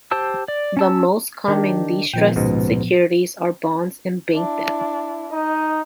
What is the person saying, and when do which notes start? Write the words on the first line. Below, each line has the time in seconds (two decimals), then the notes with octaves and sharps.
The most common distressed securities are bonds and bank debt.
0.11 G4 C5 A5 E6
0.48 D5
0.77 C#4 A5 E6
1.48 D#3 D4 G4
2.13 A#2 D#3 F3 B3 G5
2.36 C#2 G#2 B2
4.34 D4 E4
5.33 D#4 D#5